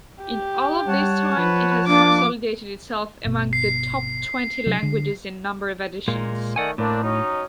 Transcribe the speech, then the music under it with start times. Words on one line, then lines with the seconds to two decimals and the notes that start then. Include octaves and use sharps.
In all of this time it has consolidated itself among the top twenty languages in number of editions.
0.24 G4
0.88 G3 C#5 F#5 A5
1.38 F3 B4
1.87 A#3 D4 D6
3.25 G1 B2
3.53 C7
4.66 C3 F#3 D4
4.83 D3
6.08 A#2 G#3 A#3
6.56 D#3 A3 D5 F#5 G#5
6.78 A2 A#3 C4 D4
7.02 F#3 C#4 D#4